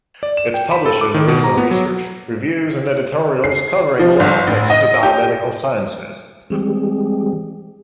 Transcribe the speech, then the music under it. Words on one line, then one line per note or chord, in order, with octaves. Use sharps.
It publishes original research, reviews, and editorials covering all aspects of the biomedical sciences.
D5
E7
G5
B5
A4
D6
D#3
B2
A#5
B3
F#3
C7
F3
G1
A1
D#5
G4
E3 G3 G#3 C4 G4 G#4